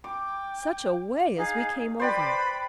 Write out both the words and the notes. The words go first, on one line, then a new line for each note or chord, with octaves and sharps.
Such a way as we came over!
G5 D6
D#4 G#4 F5
B4 C5 D5 G5 B5